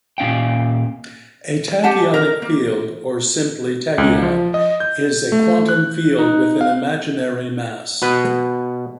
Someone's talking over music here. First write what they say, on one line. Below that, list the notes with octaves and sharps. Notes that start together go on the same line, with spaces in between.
A tachyonic field, or simply tachyon, is a quantum field with an imaginary mass.
A#2 C#4 F5 G5
G4 F#5 G#5 A5
A#4
A#3
C#2
F3
D#5
G6
A3
F#6
D#4
F5
B2 B4